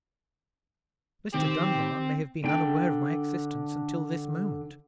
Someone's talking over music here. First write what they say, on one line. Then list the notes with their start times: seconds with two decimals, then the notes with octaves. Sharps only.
Mr. Dunbar may have been unaware of my existence until this moment.
1.34 D#3 C4 G4
2.44 D3 D4 G5